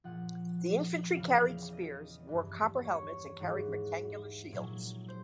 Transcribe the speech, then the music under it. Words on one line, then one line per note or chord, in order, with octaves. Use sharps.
The infantry carried spears, wore copper helmets, and carried rectangular shields.
A#2 F3 F#5
E2 C#3 E3 F5
D#5
G2 E3
C#5
G#2 E3
A#2 F#3
C5